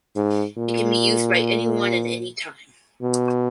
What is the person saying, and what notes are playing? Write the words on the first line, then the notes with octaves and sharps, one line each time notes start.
It can be used by anyone in anytime.
G#2
A#2
B2